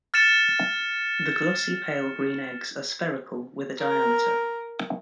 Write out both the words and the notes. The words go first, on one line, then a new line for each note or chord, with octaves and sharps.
The glossy pale green eggs are spherical with a diameter.
F6 A6 C#7 E7
A#4